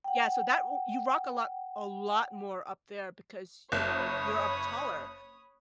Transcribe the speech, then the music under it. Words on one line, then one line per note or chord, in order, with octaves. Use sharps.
Yeah, so that u you rock a lot a lot more up there because, you know, you're up taller.
F#5 G5
F#1 C#5 B5 D#6